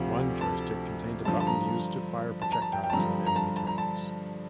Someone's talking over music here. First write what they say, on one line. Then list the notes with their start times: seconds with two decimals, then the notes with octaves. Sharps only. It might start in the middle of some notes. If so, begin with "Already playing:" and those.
One joystick contained a button used to fire projectiles at enemy targets.
Already playing: D2 C3 F3
0.41 A5
1.25 G2 D3 F3 A5
1.40 A5
1.47 A#5
2.42 A5
2.52 A#5
2.62 A5
2.73 G5
2.84 G5
2.90 A5
2.93 G2 D3 F3 A#5
3.26 A#5
3.36 A5
3.56 A5
3.67 A#5
3.78 A5